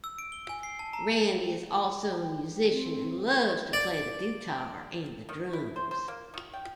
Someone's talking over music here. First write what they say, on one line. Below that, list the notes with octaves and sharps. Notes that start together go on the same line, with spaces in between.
Randy is also a musician and loves to play the guitar and the drums.
E6
D7
G7
G#5
C7
A5
A#5
G5
C4
D5
D#3
E4
C5
C5
A#3
D#3
G5